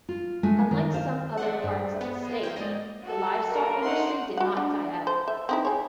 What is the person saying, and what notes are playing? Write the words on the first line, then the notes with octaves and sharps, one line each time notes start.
Unlike some other parts of the state, the livestock industry did not die out.
F4
G#3 A3 G#5
D#3
C5 F5
A3 G#4 C5 D5 F#5 A5
G2
B3
F3 G#3
A#3 D#4 C5 E5 G5
G#2 A#3 C#4 D5 D#5
F#4 A4
G2 A#3 A#4
F#2 A3 D#4 F#5 C6
F#4 F#5
D4
C5
E5
C4 D#4 E4
G#4 C#5